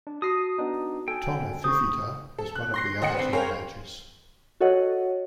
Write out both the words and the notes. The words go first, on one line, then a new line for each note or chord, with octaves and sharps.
Tonga Fifita was one of the other teenagers.
D4
F#4 A5 D#6 A#6 C7
B3 D4 D#4
A4 G5 G#5
C5 C#6 D#6
A4
F#6
C6 A#6 C7
D#2 D#5 F#5 C#7
C4 D4 B4
G#4 A#4 C5 C#5 F5 G5
F#4 A4 C#5 D#5 F#5